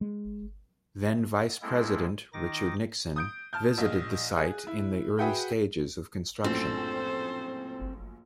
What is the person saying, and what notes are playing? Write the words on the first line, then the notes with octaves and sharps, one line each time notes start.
Then Vice President, Richard Nixon, visited the site in the early stages of construction.
G#3
G#3 A#3 C4 E4 A4
D#3 D#4 D6 A#6
D#6 G6 D7
A5 F6 G6
A#1 D#5
G#4 F#6
E4
F#4 G#4 B4 E5 F#5 G5
A#1 F#2 A2 C4 A4 C5